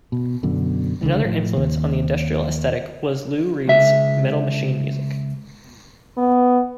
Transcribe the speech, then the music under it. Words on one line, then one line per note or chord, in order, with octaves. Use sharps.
Another influence on the industrial aesthetic was Lou Reed's "Metal Machine Music".
B2
F#2 B2 D3
C#2 D3
A2 F3
D#2
C#2 E5
B3